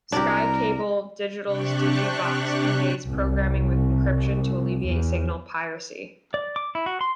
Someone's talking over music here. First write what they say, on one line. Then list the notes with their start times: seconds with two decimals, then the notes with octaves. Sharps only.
SkyCable Digital's Digibox conveys programming with encryption to alleviate signal piracy.
0.12 C2 D4 G4 A#4
1.45 C3 D4 G4 C#6 F#6
3.09 C2
4.85 E2
6.34 D5
6.56 D6
6.75 E4
6.86 F#4
7.01 C6